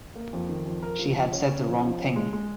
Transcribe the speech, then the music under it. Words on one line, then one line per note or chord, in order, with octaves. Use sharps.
She had said the wrong thing.
A#3
F2
D#3
F2
A#4
F3
F3
C#4
C#4
F3
F3
C#4
G#3
G#3